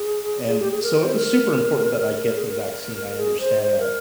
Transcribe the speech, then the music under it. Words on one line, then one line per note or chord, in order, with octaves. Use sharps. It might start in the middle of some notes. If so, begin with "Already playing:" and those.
and so, it was super important that I get the vaccine, I understand that,
Already playing: G#4
G#4
G4
G#4
A#4
C5
A#4
A#4
G#4
A#4
G#4
C5
C5
A#4